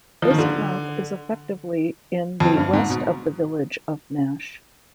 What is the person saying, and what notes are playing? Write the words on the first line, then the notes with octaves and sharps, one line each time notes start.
Uskmouth is effectively in the west of the village of Nash.
F3
D#3
D3
F2
G2
G#2
B2